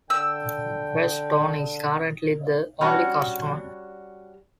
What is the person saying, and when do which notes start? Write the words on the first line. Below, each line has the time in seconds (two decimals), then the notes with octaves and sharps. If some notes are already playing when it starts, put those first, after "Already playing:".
Firestone is currently the only customer.
0.10 D3 G5 E6
2.81 G3 C#4 D4 F#4